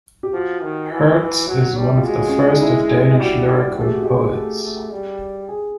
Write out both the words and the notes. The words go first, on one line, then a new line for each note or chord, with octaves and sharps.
Hertz is one of the first of Danish lyrical poets.
G4
F3 F#4
D#3
E3
F#3
G3
F4
G#3 F#4
C#4
D4
D#4
E4
G3 F#4
G3
A3 G#4
G4
F#4
G#3 G4
A3 G#4
A3
G3
G#4